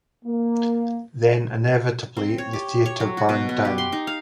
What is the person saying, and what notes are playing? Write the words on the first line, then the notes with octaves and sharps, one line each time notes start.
Then, inevitably, the theatre burned down.
A#3
C4
C#5
G4
C#5
F#3
F#4
B2
B3
G4
C6
D#4
F5